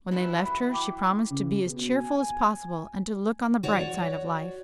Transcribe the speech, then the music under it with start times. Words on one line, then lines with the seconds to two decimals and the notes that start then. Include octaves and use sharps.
When they left her she promised to be as cheerful as possible and to look on the bright side of life.
0.11 E3 F#3 E4
0.45 B5
0.70 G5 D6
1.30 C#3
1.66 B2
1.94 G#5
3.63 F#4 C#5 D5